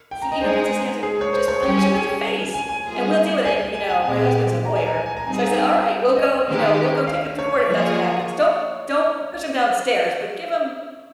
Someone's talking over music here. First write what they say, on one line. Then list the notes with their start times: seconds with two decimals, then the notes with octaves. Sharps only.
he even puts his hands on you, just punch him in the face, and we'll deal with it," and, you know, my husband's a lawyer, so I said, "Alright, we'll go you know, we'll go take him to court, if that's what happens. Don't don't push him downstairs but give him
0.11 G5
0.22 A#5
0.32 D#5
0.41 G#3 D#4 G#4 C5
1.03 G#4
1.21 C#5
1.33 C5
1.48 C#5
1.63 G3 C#4 G4 C#5
1.77 G#5
1.94 G#5
2.54 G#5
2.69 G#5
2.84 G3 A#3 F4 G#4
3.45 G#5
3.74 G#5
3.83 G5
3.90 G#5
4.05 A#2 G#3 C4 G4 G#5
4.65 A#5
4.75 G#5
4.86 A#5
4.95 G#5
5.06 G#5
5.17 A#5
5.26 G3 C4 D#4 G#4 G#5
5.56 G5
6.17 D#5
6.47 D#3 G#3 D#4 G4
7.07 F5
7.39 C#5
7.69 F3 A#3 F4 G#4